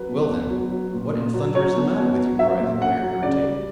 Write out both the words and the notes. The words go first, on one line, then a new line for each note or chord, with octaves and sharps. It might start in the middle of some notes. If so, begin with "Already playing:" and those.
"Well, then, what in thunder is the matter with you?" cried the Lawyer, irritated.
Already playing: F#3 B4
B2
B2
F#3
F#3
A#2
A#2
F#3
F#3 C#5
B2
B2
F#3
F#3 E5
A#2
A#2 F#5
F#3
C#3 D5
G3